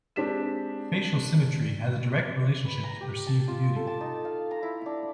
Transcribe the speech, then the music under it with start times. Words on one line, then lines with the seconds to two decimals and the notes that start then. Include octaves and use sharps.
Facial symmetry has a direct relationship to perceived beauty.
0.16 G#3 C4 D4 G4 B6 E7
2.65 B4
2.83 A#5
3.01 G4
3.27 A5
3.48 F4
3.76 A4
3.87 A5
4.01 D#4
4.25 F5
4.51 A#5
4.63 E4
4.86 D4